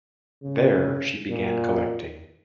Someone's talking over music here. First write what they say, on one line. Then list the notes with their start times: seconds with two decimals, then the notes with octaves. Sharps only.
There, she began collecting.
0.43 C#3
1.30 A#2